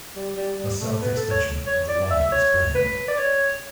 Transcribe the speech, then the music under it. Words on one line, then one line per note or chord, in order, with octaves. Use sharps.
A south extension of the line is planned.
G3
G3
G3
A3
B3
A4
C#5
C#5
D5
E5
C#5
B4
D5
C#5